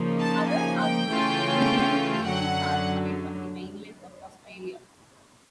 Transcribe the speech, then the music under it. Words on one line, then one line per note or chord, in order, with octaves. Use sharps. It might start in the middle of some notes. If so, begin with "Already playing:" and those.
Others argue New Zealand is too far away from the mainland of Australia.
Already playing: C#3 F3 A#3 D#4
A5
G#5
G5
C#3 E3 A3 C#4 F4
F#2 D3 F#3 F#5